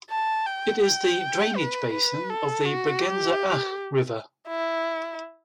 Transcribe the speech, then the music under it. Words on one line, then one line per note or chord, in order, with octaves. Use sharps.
It is the drainage basin of the Bregenzer Ach river.
A5
G5
G5
B4
B4
A4
F#4
G4
E4